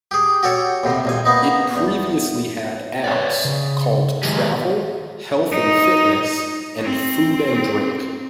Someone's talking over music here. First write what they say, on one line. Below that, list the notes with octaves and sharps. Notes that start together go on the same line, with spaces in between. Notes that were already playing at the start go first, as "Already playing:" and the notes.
It previously had apps called Travel, Health and Fitness, and Food and Drink.
G4 G#4
F#4 G4 A4 C#5
D#2 A2 C3
A#1 D#2 G#5
A#3 B3 D#4
E2
B4 C#5 D5
C#3
D#3 G#3 B3 D#4 G4 G#4
D#4
C4